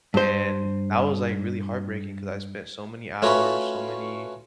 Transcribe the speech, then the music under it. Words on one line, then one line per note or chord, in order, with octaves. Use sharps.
And that was, like, really heartbreaking 'cause I spent so many hours, so many
G2 C5
A3 C#4 F4 F#4 B4